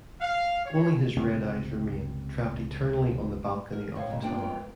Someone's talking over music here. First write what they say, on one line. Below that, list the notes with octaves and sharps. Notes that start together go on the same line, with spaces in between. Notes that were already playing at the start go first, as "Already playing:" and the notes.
Only his red eyes remain, trapped eternally on the balcony of the Tower.
F5
C#5
C#2 C3 C4
A#4
A2 C5 C#5 F5
F2 G#2 B2
A#3 B3 D4 F4 C#5 G5
G#2 A#4